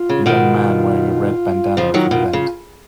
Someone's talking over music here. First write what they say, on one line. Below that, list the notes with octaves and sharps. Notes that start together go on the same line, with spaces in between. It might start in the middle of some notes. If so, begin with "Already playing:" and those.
A young man wearing a red bandanna at an event.
Already playing: F4
C#3
B2 D#3
F4
C#3 F3
D#3 F#3
B2 D#3
C#3